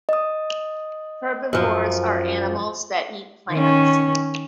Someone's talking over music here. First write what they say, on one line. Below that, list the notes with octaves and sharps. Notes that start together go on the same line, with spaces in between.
Herbivores are animals that eat plants.
D#5 D#6
F#2 F3
D#3 C#4